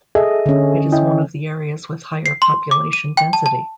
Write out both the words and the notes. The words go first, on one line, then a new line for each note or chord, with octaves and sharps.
It is one of the areas with higher population density.
G#4 A4 D#5 E5
D3 C#4
E4 D#5 G5
C7
C6
D6
D#7
G5
A5
A5